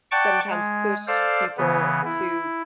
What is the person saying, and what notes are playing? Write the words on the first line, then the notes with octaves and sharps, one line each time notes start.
sometimes push people to,
D5 F#5 G5 A5 C#6 D6
G#3
A4 C5 D5 F5
C#3 E3 B3
E4